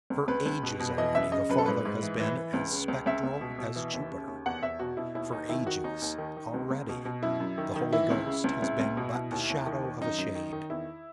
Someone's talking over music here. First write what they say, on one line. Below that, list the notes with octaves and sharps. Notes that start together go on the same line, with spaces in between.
For ages already the Father has been as spectral as Jupiter; for ages already the Holy Ghost has been but the shadow of a shade.
C#2
C#2 B4
C#2
B2
B2
E3 D#5
F#2 E5
C#3 D#5
F#2 B4
A4
G#2 B4
G#2
E3
E3
E3
C#2
C#3
C#2
C#2 E5
C#2
B2
B2
E3
D#2
C#3
D#2
E2 F#5
E2 E5
B2 F#4
B2 E4
D#2 E4
D#2 D#4
D#3 E4
D#3 F#4
D#2 D#4
D#2
D#3
D#3
C#2
C#2
B2
B2
F#2 E4
F#2
D#3
D#3
E3 E4
C#2
C#3
C#2
C#2
C#2
B2
B2
D#2
D#2
D#3
D#3
F#2 D#4
F#2
D#3
D#3
E2 E4